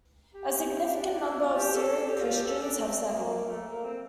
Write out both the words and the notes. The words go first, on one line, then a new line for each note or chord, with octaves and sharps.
A significant number of Syriac Christians have settled.
G4
G4
G4
D4
D4
E4
F4
G4
A4
G4
F4
G4
A4
D4
C4
A#3
A3
A#3
C4